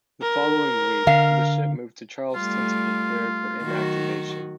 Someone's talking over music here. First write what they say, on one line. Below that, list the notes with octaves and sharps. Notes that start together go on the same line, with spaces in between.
The following week, the ship moved to Charleston to prepare for inactivation.
A#4
D3 F5
G3 A3 F4
D#3 F#3 F#4